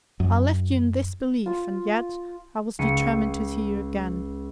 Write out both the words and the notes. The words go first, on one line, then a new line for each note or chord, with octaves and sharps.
I left you in this belief; and yet, I was determined to see you again.
F#2
F4 E6
C#2 C#7 D#7